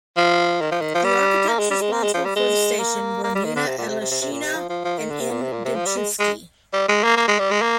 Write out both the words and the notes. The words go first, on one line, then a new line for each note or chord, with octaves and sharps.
The architects responsible for the station were Nina Aleshina and N. Demchinsky.
F3
D#3
F3
D#3
F3
G3
A#3
G#3
G3
G#3
A#3
G#3
F3
G3
G#3
A#3
A#3
G3
D#3
D3
C3
A#2
C3
C3
C3
C3
A#2
C3
F3
F3
F3
D#3
D3
C3
A#2
C3
A#2
C3
F3
G3
G#3
G#3
G3
G#3
A#3
A#3
G#3
G3
G#3
A#3